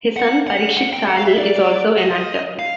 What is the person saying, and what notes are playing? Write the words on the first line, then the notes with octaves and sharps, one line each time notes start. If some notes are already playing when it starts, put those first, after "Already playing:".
His son Parikshit Sahni is also an actor.
F#5
F#5
F#5
G5
F#5
F5
E5
D5
D#5
F5